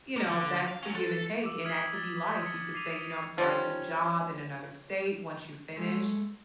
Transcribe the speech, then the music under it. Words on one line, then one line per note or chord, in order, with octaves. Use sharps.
you know, that's the give and take, and that could be life; you could say, you know, "I'm starting a new job in another state," once you finish,
A#2 A#4
D3
F5
F#3 C#4
A4
D6 E6
D#6 F6 G#6 B6 F#7
A6
C#7
D6 C7 D#7 F7
F3 G3 C#4
G#3 A3